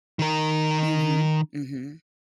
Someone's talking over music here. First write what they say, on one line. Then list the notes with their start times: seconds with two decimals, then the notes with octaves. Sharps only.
Mhm, mhm.
0.19 D#3 A#4